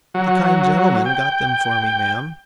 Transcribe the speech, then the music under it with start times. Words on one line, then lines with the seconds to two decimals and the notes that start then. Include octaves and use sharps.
"The kind gentleman got them for me, ma'am."
0.14 F#3
1.05 G5